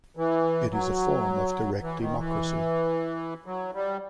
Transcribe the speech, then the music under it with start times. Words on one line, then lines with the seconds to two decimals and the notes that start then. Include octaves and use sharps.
It is a form of direct democracy.
0.17 E3
0.71 F#3
1.82 E3
2.00 D#3
2.18 E3
3.46 F#3
3.74 G3